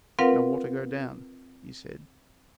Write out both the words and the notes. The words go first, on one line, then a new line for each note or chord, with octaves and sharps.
"No water go down," he said.
C4 F4 A#4 B4 F5 F#5